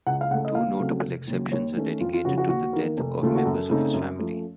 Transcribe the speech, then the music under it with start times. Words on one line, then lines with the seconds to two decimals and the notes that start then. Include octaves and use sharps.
Two notable exceptions are dedicated to the death of members of his family.
0.06 C#2 F#5
0.21 F5
0.31 C#3 F#5
0.34 A3
0.45 D#5
0.55 D#2 F5
0.79 C#3 F#3 A3 C4
1.04 F1
1.27 D#2 C#3 F#3
1.52 D#2 C#5
1.76 D#3 A3 C#4
2.00 F2 F4
2.13 F4
2.25 C#3 F3 F#4
2.38 F#4
2.49 D#2 F#4
2.73 D#3 A#3
2.97 F1
3.22 D#2 C#3 A3 F4
3.35 F#4
3.45 F#2 A4
3.70 C#3 A3 C4 D#4
3.94 F#2
4.19 F3 A3 C#4